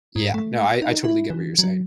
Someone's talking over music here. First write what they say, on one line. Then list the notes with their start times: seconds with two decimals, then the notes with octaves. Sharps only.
Yeah, no, I I totally get what you're saying.
0.16 G#2
0.34 A3
0.82 D#4
1.04 E4
1.30 E3
1.59 F#3